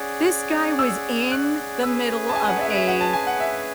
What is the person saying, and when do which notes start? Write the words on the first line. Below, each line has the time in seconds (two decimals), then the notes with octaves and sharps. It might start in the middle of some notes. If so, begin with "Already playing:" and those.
This guy was in the middle of a
Already playing: C#4 G#4 D5 F#5
0.79 E6
1.32 F#6
1.83 C#4 G#4 B4 E6
2.29 A5
2.35 G#5
2.48 F#5
2.61 E5
2.75 E5
2.88 F#5
3.01 A5
3.13 G#5
3.27 F#5
3.40 E5